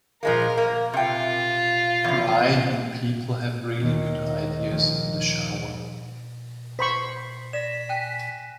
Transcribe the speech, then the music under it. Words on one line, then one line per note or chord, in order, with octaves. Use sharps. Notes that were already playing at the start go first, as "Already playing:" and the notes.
Why do people have really good ideas in the shower?
F3 G#3 A#3 A#4
A#3
C3 F4 G5
E2 F3
D#2 D#3 D#5
D#2 D#3 F3
C5 B5 C#6 B6 C7
D5 A#6 B6 E7
G5 G#5 F#6 D#7